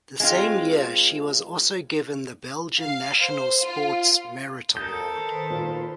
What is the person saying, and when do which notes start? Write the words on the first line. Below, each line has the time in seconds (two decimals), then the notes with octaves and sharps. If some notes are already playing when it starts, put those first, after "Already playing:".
The same year she was also given the Belgian National Sports Merit Award.
0.20 G#3 C4 F4
2.80 F5
3.21 C5
3.61 F4
4.77 A4 A#4 D#6 G6
5.09 D#3 B4 C5
5.50 A#2